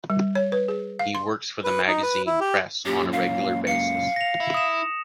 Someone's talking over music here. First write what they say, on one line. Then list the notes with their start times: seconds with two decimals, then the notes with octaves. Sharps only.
He works for the magazine press on a regular basis.
0.10 G3
0.35 C#5
0.52 B4
0.68 G#4
0.99 F5
1.15 C6
1.64 B4
1.88 D#4
2.03 B4
2.27 E4
2.41 G4
2.86 F#2 A#2 G4
3.13 F5
3.67 F5 C#7
4.16 A#6 F7
4.40 E4
4.54 D#6 E7